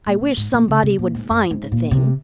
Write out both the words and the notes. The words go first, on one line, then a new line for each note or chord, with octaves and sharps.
I wish somebody would find the thing.
A#2
A#2
G#2
A#2
C#3
C3
A#2
G#2
F#2
G#2
A#2
C3